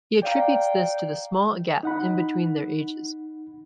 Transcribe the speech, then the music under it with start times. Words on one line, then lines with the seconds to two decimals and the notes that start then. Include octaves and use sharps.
He attributes this to the small gap in between their ages.
0.23 D5 F5 G5 A#5
1.83 D#4 F#5 B5